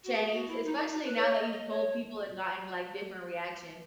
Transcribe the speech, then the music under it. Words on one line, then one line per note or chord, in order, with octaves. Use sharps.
changed, especially now that you've told people and gotten, like, different reactions?
F#4
G#4
F#4
E4
D#4
D#4
D#4
B4
C#5
D#5
D#5
C#5